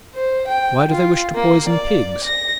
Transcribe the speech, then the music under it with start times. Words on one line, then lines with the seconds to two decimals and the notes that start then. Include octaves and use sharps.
"Why do they wish to poison pigs?"
0.15 C5
0.48 G5
0.91 F4
1.35 A#3
1.69 D5
2.25 A#6